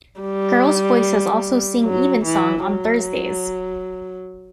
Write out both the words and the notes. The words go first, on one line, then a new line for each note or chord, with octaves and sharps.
Girls' voices also sing evensong on Thursdays.
G3
F#3
E3
F#3